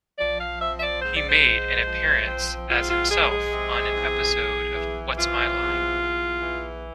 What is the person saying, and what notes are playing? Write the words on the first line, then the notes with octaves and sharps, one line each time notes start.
He made an appearance as himself on an episode of What's My Line?
F3 D5
F5
C4 E5
E5
D5
G#2 C5
D5
C5
G#3
F3
C4
G#2 F4
F4
G#3 G#4
G#4
C3
E2
E2
E3
C3 F4
E2
E2
E3